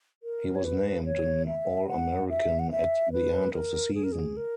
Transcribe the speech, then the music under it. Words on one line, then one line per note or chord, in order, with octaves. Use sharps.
He was named an All-American at the end of the season.
A#4
C#5
B4
C#5
E5
F#5
E5
F#5
E5
B4
A#4
G#4
A#4
G#4
A#4